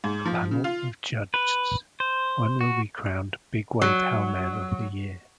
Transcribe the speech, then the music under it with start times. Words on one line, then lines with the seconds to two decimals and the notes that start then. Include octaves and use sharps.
A panel of judgeds, one will be crowned "Big Wave Hellmen of the Year".
0.04 G#2
0.25 F3
0.51 C#3
0.64 F4
1.34 B4
2.00 C5
2.61 F#4
3.82 F#3